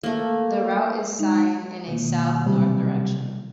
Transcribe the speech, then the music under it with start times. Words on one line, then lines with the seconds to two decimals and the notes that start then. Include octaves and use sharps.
The route is signed in a south-north direction.
0.03 A3 A#3
1.19 G#3 D#4
1.87 B2 D#3 A#3
2.46 C3 F#3 G3